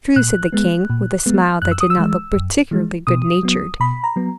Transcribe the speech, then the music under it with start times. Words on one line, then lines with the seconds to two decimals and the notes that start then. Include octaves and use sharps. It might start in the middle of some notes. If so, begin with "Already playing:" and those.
"True," said the king, with a smile that did not look particularly good-natured.
0.16 A#2 F#6
0.53 G#3 B3
0.90 A#2
1.26 G#3 B3
1.62 F#2 F#6
1.72 E6
1.81 D#6
1.90 E6
1.98 E3 G#3
2.35 F#2
2.71 E3 G#3
3.07 B2 D#6
3.43 F#3 B3
3.80 B2 B5
4.04 A#5
4.16 F#3 B3